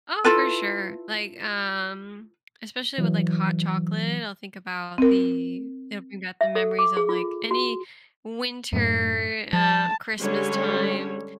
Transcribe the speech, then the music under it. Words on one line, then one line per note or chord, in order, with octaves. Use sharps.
oh, for sure. Like, um, especially with, like, hot chocolate, I'll think about the it'll bring back the memories of, like, any winter, uh, Christmas time
E4 F4 A4 B4
E3 F#3
C4 A#4
E5
A4
D6
G#4
F4
F#4
F#2 A2
F3 A5
D3 G3 G#3 C#4 C#5